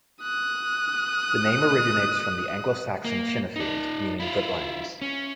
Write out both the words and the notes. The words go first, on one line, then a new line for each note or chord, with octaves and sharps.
The name originates from the Anglo-Saxon "Chenefield", meaning 'good lands'.
D#6 F#6
A#3
D#4 D5
E4 F4
C#4